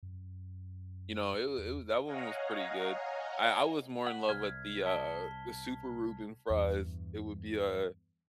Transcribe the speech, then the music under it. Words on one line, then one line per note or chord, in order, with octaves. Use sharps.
you know, it was it was that one was pretty good. I I was more in love with the, uh uh the super Reuben fries, it would be, uh,
F#2
E2
C#5 D#5 F5 F#5 G#5 A#5
F#5 B6
C2 F6 G#6
A5 B6 G7
E2 G2